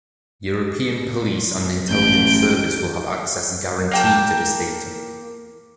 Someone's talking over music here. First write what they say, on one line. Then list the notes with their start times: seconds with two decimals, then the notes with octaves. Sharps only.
European police and Intelligent Service will have access guaranteed to this data.
1.88 A1 G6 D7
3.92 A#3 G5 A5